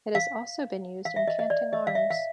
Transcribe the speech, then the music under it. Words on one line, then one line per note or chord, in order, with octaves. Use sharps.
It has also been used in canting arms.
F5
F5
E5
D#5
D#5
D5
D#5
F5
E5
F5